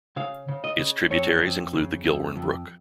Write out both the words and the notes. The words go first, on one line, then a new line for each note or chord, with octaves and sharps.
Its tributaries include the Gilwern Brook.
C#3 F5
C#3
D#5
C#3
F2 C#5
F2
C#3
F2
F2